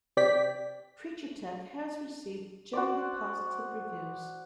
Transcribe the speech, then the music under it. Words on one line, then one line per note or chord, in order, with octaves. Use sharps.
"Creature Tech" has received generally positive reviews.
C3 D5 G5 B6
F#4 C5 D5